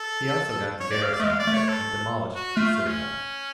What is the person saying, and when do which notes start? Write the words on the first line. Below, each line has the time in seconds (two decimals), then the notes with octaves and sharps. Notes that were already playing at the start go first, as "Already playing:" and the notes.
He also got the garrison under, and demolished the citadel.
Already playing: A4
0.80 C#5
0.91 D5
1.03 F5
1.14 D5
1.19 A3
1.24 G#3 F5
1.39 D5
1.47 A3
1.54 C#5
1.69 A4
2.35 F#4
2.57 A3 F4
2.73 F4
2.87 C#4